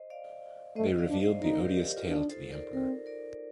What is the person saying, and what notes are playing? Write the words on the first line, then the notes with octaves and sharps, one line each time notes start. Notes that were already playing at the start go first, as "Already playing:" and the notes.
They revealed the odious tale to the emperor.
Already playing: C5 D#5
D5 F5
A3 C5 D#5
D5 F5
D4
C5 D#5
D#4 A#4 D5
G4 A#4
G4
F4
D4 D#4
A4 C5
A#4 D5
C4 A#4 D5
A#4 D5